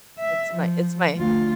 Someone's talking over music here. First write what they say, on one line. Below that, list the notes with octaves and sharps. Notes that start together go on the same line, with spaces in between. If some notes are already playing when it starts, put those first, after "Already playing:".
It's my it's my
E5
F3
D2 F4